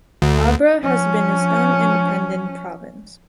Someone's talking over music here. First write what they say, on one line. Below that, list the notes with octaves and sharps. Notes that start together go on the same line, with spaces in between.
Abra has been its own independent province.
D2
F3 C#4